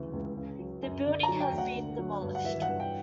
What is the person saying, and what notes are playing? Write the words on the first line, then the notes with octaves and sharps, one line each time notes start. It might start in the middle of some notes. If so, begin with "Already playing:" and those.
The building has been demolished.
Already playing: D2 C#3 E3
C#2
C#3
F#3
F#2
D3 D5
A#5
F#3
G5
D2
F#5
D3
F#3
G2
F#5
E3 E5
F#5
G2
G5